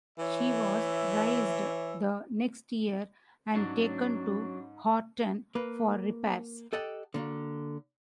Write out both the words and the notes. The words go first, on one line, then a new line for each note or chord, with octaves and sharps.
She was raised the next year and taken to Horten for repairs.
E3 C#5 E5
G#2 F#3 C#4 D4
A#3 B4
G4 A4 D#5 F#5 G5
D3 A#3 F#4